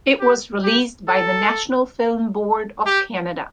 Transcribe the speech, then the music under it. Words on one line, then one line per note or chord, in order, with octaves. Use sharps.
It was released by the National Film Board of Canada.
G4
G4
A4
G4